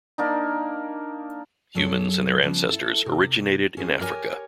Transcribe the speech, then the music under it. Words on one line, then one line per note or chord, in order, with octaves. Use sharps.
Humans and their ancestors originated in Africa.
A#3 D4 D#4
F#2 F#3 G#4 A4 C#5
C#3 F3 G3 B3
E4 A4
C3
C#4 G#4 C5
G4 A#4 C#5 G#5